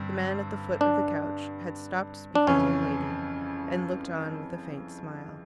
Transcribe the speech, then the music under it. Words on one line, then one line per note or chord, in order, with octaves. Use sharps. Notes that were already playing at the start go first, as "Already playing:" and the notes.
The man at the foot of the couch had stopped speaking to the lady, and looked on with a faint smile.
Already playing: G2 D3 G3 C4
D4
D4
F2 C#3 E3 C#4